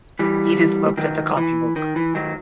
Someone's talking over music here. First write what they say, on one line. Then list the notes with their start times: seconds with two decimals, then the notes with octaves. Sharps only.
Edith looked at the copybook.
0.19 E3 G3
0.97 D#3 F#3
1.37 E3
1.76 D#3
1.96 E3
2.15 D#3 F#3